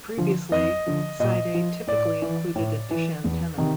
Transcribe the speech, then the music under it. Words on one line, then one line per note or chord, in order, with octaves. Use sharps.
Previously, Side A typically included a dish antenna.
D3 F3
F2 D#5
D3 F3
A#2 D#5
F3
A2 D5
E3
A2
E3
E2
C3 D#3